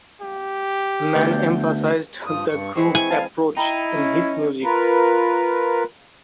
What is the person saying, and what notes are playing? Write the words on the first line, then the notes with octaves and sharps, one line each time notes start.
Mann emphasized the groove approach in his music.
G4
D2 B3 G6
G2 F3 D#6
G2 C#6
E3 G#3 C4 C#6
E4 G#5
F5 A5
D#4 E4 G5 A#5 B5
C#4 D#5
F4 A#4 B4